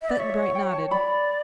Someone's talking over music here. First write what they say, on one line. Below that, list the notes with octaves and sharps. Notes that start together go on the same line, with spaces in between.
Button-Bright nodded.
E5
D5
C#5 E5
E5
F#5
G5
A5
D5 B5